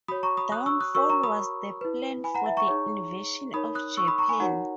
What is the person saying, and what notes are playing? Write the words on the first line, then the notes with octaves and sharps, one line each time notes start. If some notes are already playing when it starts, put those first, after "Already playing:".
Downfall was the plan for the invasion of Japan.
F#4 C#5 B5 D#6
A#5 C#6
B5 D#6
D#6 F#6
C#6 E6
D#6 F#6
F#4 A#4 C#5 C#6 E6
A#5 C#6
B5 D#6
E4 B4
G#5 B5
F#5 A#5
E5
A#5 C#6
D#4 G#4 C#5
D#4 A#4 C#5 B5 D#6
D#6 F#6
C#6 E6
B5 D#6
A#5 C#6
G#5 B5
D#4 F#4 A#4 C#5 F#5 A#5